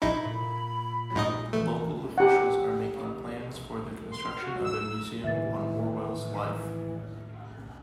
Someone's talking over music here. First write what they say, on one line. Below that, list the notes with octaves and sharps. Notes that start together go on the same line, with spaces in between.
Local officials are making plans for the construction of a museum on Orwell's life.
A#1 D#4 E4 B5
A#2
G#2 D#4 D5 D#5
E3 A3
G4 F#5
C6
F6
F#4
E6
A2 D#3 E3 B3 E5 A6